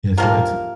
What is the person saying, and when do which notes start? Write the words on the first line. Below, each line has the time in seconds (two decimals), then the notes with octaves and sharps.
Yeah, so, li it's
0.18 C3 F3 A#3 A#4